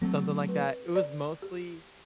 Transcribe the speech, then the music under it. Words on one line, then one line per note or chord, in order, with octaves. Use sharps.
something like that, it was mostly
F#3 A3 C4
B4
D5
G4